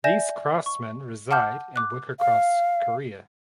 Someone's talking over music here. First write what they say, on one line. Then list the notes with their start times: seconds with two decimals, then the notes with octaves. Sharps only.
These craftsmen reside and work across Korea.
0.04 D5 E5 G#5 G6 A#6 E7
0.66 C#6
1.31 F#5 A5 D6 F6 G6
1.76 D6 F#6
2.20 F5